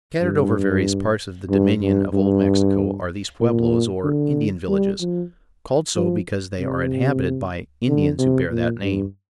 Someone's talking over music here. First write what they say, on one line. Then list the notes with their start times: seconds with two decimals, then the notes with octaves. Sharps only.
Scattered over various parts of the dominion of Old Mexico are these Peublos, or Indian villages, called so because they are inhabited by Indians who bear that name.
0.22 G2
1.50 G2
1.82 G2
2.14 G2
3.40 A#2
4.04 D3
4.69 G3
5.00 F3
5.96 F3
6.59 C3
7.87 D3
8.19 C3
8.50 A#2
8.82 G2